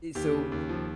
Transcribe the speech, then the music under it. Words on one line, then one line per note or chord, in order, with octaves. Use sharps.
So, i
D#2 G4
C#3
D#2
F3